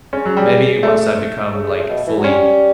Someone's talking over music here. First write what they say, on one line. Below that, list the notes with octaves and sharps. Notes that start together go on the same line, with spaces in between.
maybe once I become like fully
C#3 C#4
F#3
G3
A3
C#3
C#3
B2
E3
F#3
G3 C#4